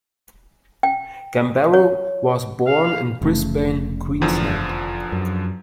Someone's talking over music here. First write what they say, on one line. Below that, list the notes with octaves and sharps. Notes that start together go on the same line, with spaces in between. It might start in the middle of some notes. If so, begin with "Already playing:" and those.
Gambaro was born in Brisbane, Queensland.
G5
C#5
F5
F1 C#3 A3
E2 D3 F3
F#2